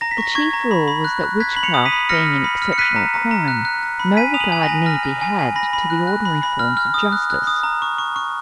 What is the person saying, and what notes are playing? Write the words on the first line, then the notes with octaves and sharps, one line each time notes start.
The chief rule was that witchcraft being an "exceptional crime," no regard need be had to the ordinary forms of justice.
A#5 A#6
B6
C#6 A#6
C#6 G#6
A#5
B5
B5
F#6
F#6
F#6 G#6 B6
B5 F#7
C#7 F7
D#6
B6 D#7
B5
F6 A#6 C#7
F6
B5
F6
C#7
F#6 B6 D#7
A#5
A#5
A#5
F#6
F#6
F#6
B5
G#5 B6 D#7
D#6 F7
D#7 F#7
G#5
A#6
G#5
F6 A#6
G#5
G#5
G#5
B5 A#6
B5
F#6
F#6
B5
B5
F6
F6
D#6
F#6
F#6
D#6
A#5
C#6
C#6
C#6